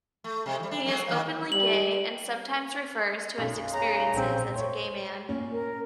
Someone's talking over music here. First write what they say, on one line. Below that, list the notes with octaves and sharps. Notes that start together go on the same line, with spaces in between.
He is openly gay and sometimes refers to his experiences as a gay man.
A3
C3 G#3
E3 G3
D4
F#3 G#3 A#3
D#3 F#3
G3 F#7
B1 F#2
C#3 A#5
A#1 C4
C5 C#5
A#2 C#4
A#4